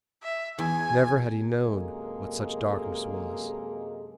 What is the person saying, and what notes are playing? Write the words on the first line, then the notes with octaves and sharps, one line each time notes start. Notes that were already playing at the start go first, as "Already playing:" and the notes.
Never had he known what such darkness was.
E5
E2 G#5
F#2 C3 G#3 A#3 G#4 A4